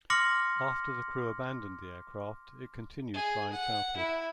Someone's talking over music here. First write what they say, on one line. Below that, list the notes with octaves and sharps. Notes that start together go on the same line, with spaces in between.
After the crew abandoned the aircraft, it continued flying southward.
C6 D6 F6 A#6 C#7 F#7
G#4
F#5
E4